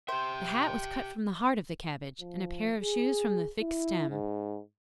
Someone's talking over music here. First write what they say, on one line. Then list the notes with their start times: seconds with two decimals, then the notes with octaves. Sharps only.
The hat was cut from the heart of the cabbage, and a pair of shoes from the thick stem.
0.09 G4 C5 E5 G5
2.21 F3
2.80 G#4
3.60 E4
4.10 G#2